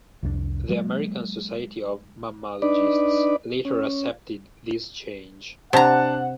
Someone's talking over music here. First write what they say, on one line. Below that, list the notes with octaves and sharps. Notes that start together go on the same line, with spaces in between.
The American Society of Mammalogists later accepted this change.
C2 F2 E3 D4
F#3 G#3 A#3
D4 D#4 B4 D5
C#4
C3 D4 F#5 A5 A#5